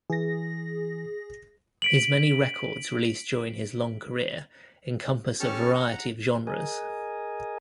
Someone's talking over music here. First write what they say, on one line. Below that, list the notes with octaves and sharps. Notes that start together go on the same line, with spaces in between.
His many records released during his long career encompass a variety of genres.
E3 G#4 A#6
B6 D7 F#7
C#4 G4 A4 A5 C#6 F6
F#5 A#5
G#4 A#4 D#5 G#5